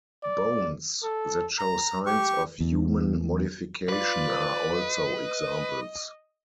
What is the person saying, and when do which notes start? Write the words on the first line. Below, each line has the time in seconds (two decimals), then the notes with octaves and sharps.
Bones that show signs of human modification are also examples.
0.23 D5
1.03 A4
1.59 A#5
2.06 G4 C#6
2.60 E2
3.89 F4 B4 D5
4.79 D#5